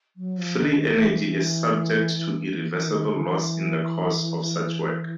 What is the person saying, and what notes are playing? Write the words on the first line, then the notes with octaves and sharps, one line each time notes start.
Free energy is subject to irreversible loss in the course of such work.
F#3
F3
D#3
E3
E3
E3
E3
D#3
D3
E3